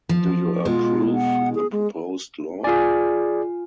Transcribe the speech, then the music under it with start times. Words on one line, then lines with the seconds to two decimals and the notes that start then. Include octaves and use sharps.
Do you approve the proposed law?
0.09 F3
0.65 B2 G#3 F4
1.14 F#5
1.55 G#4
1.72 G#3
2.64 F4 G#4 D5 G#5